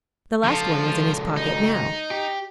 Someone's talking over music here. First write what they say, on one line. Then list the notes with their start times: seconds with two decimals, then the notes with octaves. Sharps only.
The last one was in his pocket now.
0.44 C#2 F3 F4 A4
1.36 D#4
2.11 G4